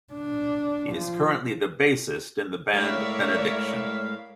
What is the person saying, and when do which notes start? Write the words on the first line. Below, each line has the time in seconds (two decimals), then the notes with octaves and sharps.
He is currently the bassist in the band Benediction.
0.13 D4
0.93 F3
2.73 A2 G#3 A#4 C#5 D5 E5 F5